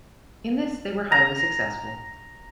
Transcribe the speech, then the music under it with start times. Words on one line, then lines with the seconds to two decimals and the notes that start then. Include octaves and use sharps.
In this they were highly successful.
1.12 A#5